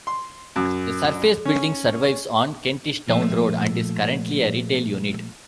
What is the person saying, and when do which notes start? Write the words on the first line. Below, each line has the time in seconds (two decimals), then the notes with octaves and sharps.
The surface building survives on Kentish Town Road and is currently a retail unit.
0.07 C6
0.56 F#2
1.45 C#4
3.08 A#2 F3 A3